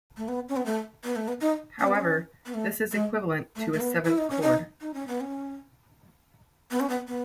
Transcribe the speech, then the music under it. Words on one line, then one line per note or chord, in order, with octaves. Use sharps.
However, this is equivalent to a seventh chord.
A3
B3
C#4
B3
A3
B3
A3
B3
D#4
C#4
B3
C#4
B3
A3
G#3
A3
A3
B3
E4
D#4
C#4
D#4
D#4
C#4
B3
C#4
B3
C#4
B3
B3